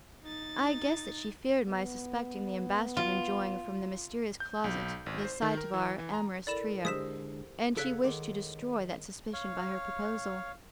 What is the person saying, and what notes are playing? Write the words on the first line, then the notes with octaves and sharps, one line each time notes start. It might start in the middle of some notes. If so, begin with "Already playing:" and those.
I guessed that she feared my suspecting the ambassador of enjoying from the mysterious closet the sight of our amorous trio, and she wished to destroy that suspicion by her proposal.
D#4 A6
B3
F4
G6
B1
G#1
C5
D#3
A#4
E3
E3
A#5
E4 A4 A#4 D5 B5 E7
D3 G#3 G4 C5 D#6 E6 B6 E7
C#3 A4 C#5 F#5 F#6 B6 D7
D#3 G#3 D6
C#5 F5